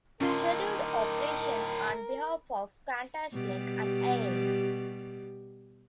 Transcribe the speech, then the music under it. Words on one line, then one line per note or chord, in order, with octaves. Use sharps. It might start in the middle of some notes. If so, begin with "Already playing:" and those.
Scheduled operations on behalf of QantasLink and AaE.
A2 D3 D#3 C#4 F4 A#4 C6
B2 G3 G4